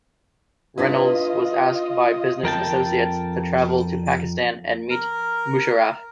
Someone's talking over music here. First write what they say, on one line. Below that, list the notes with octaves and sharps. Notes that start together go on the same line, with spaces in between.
Reynolds was asked by business associates to travel to Pakistan and meet Musharraf.
D4 E4 F4 B4 D#5
F2 A#4 G5 A5
A#4